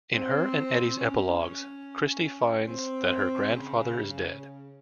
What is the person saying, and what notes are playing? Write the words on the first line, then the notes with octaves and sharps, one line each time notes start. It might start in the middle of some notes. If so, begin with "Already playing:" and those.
In her and Eddy's epilogues, Christie finds that her grandfather is dead.
C4
C#4
C#4
C4
C#3
C#3